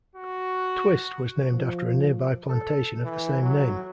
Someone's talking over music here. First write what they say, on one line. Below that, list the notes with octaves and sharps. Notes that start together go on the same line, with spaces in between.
Twist was named after a nearby plantation of the same name.
F#4
F3
A4
E3
F#3